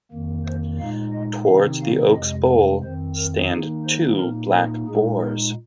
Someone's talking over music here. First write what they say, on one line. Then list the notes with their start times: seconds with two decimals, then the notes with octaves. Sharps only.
Towards the oak's bole stand two black boars.
0.11 F2 D#3 A#3
0.45 C5
0.79 A#2 G#3 D#4 F5
1.13 D#5
1.47 C3 D#3 C4 D#4 F5
1.81 F5
2.15 F2 C3 G#3 D#5
2.83 F2 D#3 C4 C5
3.17 A#4
3.51 D#3 A#3 D#4 G#4
3.85 C5
4.19 A#2 A#3 D#4 A#4
4.53 A#4
4.87 A#2 G#3 D#4 G#4
5.22 A#4